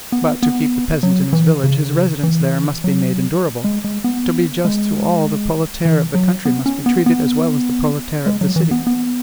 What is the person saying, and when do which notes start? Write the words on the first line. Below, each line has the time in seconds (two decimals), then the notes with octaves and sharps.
But, to keep the peasant in his village, his residence there must be made endurable: to be just to all, the proletaire of the country must be treated as well as the proletaire of the city.
0.12 B3
0.43 B3
1.03 F#3
1.33 E3
1.64 C#3
2.23 E3
2.84 F#3
3.64 G#3
3.84 G#3
4.04 B3
4.65 G#3
5.85 E3
6.15 F#3
6.45 B3
6.66 C#4
6.86 B3
7.06 B3
8.26 G#3
8.41 F#3
8.56 E3
8.71 B3
8.87 B3